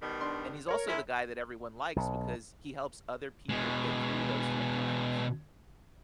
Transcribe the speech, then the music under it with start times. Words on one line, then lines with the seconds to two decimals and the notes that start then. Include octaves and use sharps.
And he's also the guy that everyone likes, because he helps other people get through those tough times.
0.02 B2 D#3 G3
0.21 D4 C6
0.68 A#4 C#5
0.88 G#3 E4
1.96 B1
3.49 B2 G#3